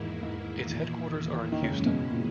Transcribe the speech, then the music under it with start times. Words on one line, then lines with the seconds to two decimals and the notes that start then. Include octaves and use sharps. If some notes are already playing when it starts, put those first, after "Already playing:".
Its headquarters are in Houston.
Already playing: E2 G#2 D#3 A#3 E4
0.23 G#2
0.70 A#2
1.52 D#3
1.63 F#2 C#3 E3 G#3 C#4 E4
1.86 B2
2.10 A#2